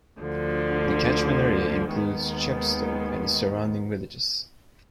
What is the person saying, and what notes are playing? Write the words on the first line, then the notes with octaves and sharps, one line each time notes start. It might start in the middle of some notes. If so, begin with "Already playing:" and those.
The catchment area includes Chepstow and its surrounding villages.
D2 D3 F3
D#2 D#3 G#3 B3